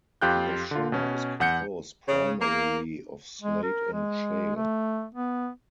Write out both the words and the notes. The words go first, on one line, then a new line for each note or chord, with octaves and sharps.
The shore is composed primarily of slate and shale.
F2 F4 G4 G5 F#6 G6
D3 F4
B2 C#4
E2 F#5 G6 C#7
C#3
A#3
G#3
A#4
G#3
A3
B3